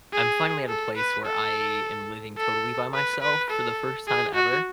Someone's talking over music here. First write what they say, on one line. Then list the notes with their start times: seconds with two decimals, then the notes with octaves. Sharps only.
I'm finally at a place where I am living totally by myself for the first time ever.
0.13 G#4
0.69 A4
0.97 B4
1.26 A4
2.38 A4
2.94 B4
3.22 B4
3.51 A4
4.08 G#4
4.35 F#4